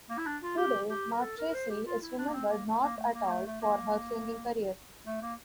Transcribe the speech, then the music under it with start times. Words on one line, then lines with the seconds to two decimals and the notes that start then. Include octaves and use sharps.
Today, Marchesi is remembered not at all for her singing career.
0.10 A#3
0.18 E4
0.26 D4
0.42 F4
0.57 G4
0.90 G4
1.12 A#4
1.22 A4
1.38 A#4
1.49 A#4
1.54 C5
1.70 G4
1.86 F4
2.02 E4
2.18 D4
2.28 A#3
2.34 C4
2.49 A#3
2.65 A3
2.82 A#3
2.97 A3
3.14 A#3
3.26 A#3
3.30 A3
3.46 A3
3.61 A#3
5.06 A3
5.22 A#3